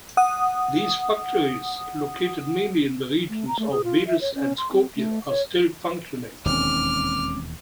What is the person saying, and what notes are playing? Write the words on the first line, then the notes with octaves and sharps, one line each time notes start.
These factories, located mainly in the regions of Veles and Skopje are still functioning.
F#5 D#6
A3
A#5
A3
G#4
F4
E5
C#5
C#4
C6
C4
A3
C#5
E1 D#2 D#3 G#3 C4 C#4 D6 F6